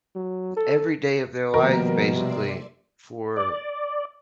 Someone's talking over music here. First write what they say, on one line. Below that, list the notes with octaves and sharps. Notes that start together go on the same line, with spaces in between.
every day of their life, basically, for
F#3
A4
B2 D#3 F3 G3 A#3 A#4
C3 D5 E5 C6
D5